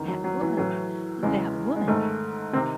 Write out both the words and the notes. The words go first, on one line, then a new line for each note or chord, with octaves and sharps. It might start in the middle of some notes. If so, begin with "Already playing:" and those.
"That woman--that woman!"
Already playing: E2 D#3
F#3
F#3
E3
A2 E3 F#3
E2 C#3 E3 G#3
G#3
G#2 D#3 A3
C3 D#3 C4